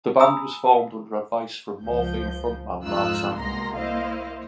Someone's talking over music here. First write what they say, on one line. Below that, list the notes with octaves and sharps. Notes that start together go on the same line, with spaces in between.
The band was formed under advice from Morphine frontman Mark Sandman.
G#5 A#5 B5 D#6 E6
C#2 F3 G6
F2 G#2 D#4 F4 E6 F#6
C2 B2 G#3 A#3 A#5 C6
A#3 E4 C5 D#5 F5